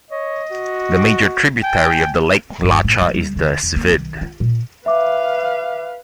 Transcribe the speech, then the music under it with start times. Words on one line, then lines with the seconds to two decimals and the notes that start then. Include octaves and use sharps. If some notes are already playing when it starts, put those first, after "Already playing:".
The major tributary of the Lake Lacha is the Svid.
0.11 C#5 D#5
0.51 F#4
1.63 G5 G#5
2.62 G1
2.84 A2
3.01 F#3
3.14 G3
3.36 D3
3.63 E2
3.76 A#3
3.92 D#3
4.21 F4
4.40 A#2
4.86 B4 E5 F5 D6